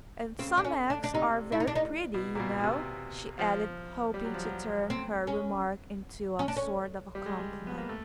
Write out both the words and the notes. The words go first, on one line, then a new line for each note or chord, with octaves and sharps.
'And some eggs are very pretty, you know' she added, hoping to turn her remark into a sort of a compliment.
C#3 C4
D4
C#4
D4
D4
C3 D#4
E4
D#4
D4
D#4
B2
A#2
B2
B2
C3
F3
G3
F#3
F3
F#3
C4
C#4
C#4
D4
C#4
G3
G#3
G3
B3
A#3
A3